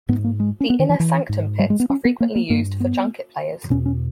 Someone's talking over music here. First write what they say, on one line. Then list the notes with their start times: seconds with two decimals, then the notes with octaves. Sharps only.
The "Inner Sanctum" pits are frequently used for junket players.
0.09 G#2 B3
0.24 A#3
0.40 G#3
0.60 C#4
0.70 B3
0.79 D#3
0.89 E3
1.00 E3
1.29 G#2
1.59 G3
1.70 G#3
1.80 B3
1.90 C#4
2.05 B3
2.20 A#3
2.35 A#3
2.50 G2 A#3
2.80 B3
3.70 E2 B2 C#4
3.86 C#4